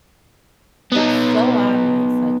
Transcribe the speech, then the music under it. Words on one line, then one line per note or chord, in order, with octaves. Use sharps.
it's so obvious, like,
B3 D#4